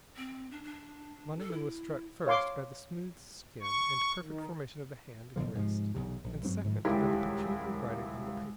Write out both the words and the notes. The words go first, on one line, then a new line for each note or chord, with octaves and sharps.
Van Emmon was struck, first, by the smooth skin and perfect formation of the hand and wrist; and, second, by the peculiar writing on the papers.
C4
D4
D4
A4
E4
C#5 F5 C6 D6
C#6
D#3
F#1 B2 D3 F3
G#2 C3 E3 F3
B1 E2 C3
A#1
G2 F#3 C4 D4
G#2 D#3 F3
D#1 C#2 E4 G4 A#4